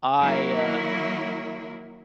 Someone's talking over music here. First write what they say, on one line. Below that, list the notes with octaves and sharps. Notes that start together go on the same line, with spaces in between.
I, uh,
D#3 F#3 A#3 E4